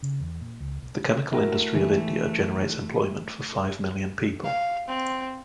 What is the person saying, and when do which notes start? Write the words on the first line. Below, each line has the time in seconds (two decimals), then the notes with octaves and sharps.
The chemical industry of India generates employment for five million people.
0.03 C#3
0.20 E2
0.41 A#2
0.60 C#2
0.82 B1
1.31 A3 E4 F#4 A#4
1.74 E3
4.45 F5
4.88 C4